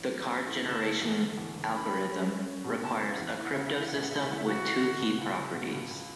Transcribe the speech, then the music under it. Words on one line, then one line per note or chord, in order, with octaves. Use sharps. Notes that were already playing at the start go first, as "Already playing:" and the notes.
The card-generation algorithm requires a cryptosystem with two key properties.
Already playing: A1
F#3
C#4
A2
F#1 A5
F#1
E2
D3
E2
F#1
C#4 B5
G4
C#4
C#4
C#4
B2
F#1 A5
C#3
F#5
E2
E3 E5
F#5
E5
C#3 F#5
E5
E3 F#5
E5
F#5
E1 E5
F#5
C#3 E5
F#5
E5
E3 F#5
E5
C#3 F#4
E3
D2
B2
C#2
C#2
B2
C#2
C#2